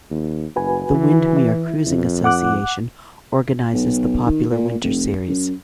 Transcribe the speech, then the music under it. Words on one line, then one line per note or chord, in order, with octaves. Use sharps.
The Windermere Cruising Association organises the popular Winter Series.
D#2
F#1 F#4 B4 G#5
E3
E4
F2
F#5 D6 F#6
B1
D#3
A#2
F1
F#2